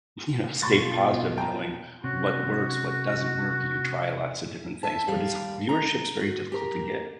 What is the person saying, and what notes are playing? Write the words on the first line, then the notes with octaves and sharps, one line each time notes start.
you know, stay positive knowing what works, what doesn't work. You try a lots of different things, but it's viewership's very difficult to get.
B2 F4 C6 C#6 A6
G5 A5 A#5
C3 C#4 F#4
E5 A5
D#2 G3 D5 F5
A#5
F#4
G4 A#4